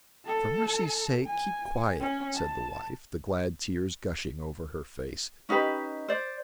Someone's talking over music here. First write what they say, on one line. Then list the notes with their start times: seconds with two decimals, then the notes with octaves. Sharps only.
"For mercy's sake, keep quiet," said the wife, the glad tears gushing over her face.
0.26 A4 A5
1.26 G#5
2.00 C#4
2.35 A5
5.49 C#4 D#4 G4 B4
6.08 C5 D5